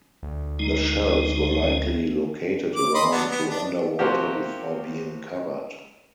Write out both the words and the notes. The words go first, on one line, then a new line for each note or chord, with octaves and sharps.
The shells were likely located around to underwater before being covered.
D2
G#3 D#4
D6
D#5 B5 C6
F#3 B3 D4
B3
D4
C3 F3 A#3 F#4 G4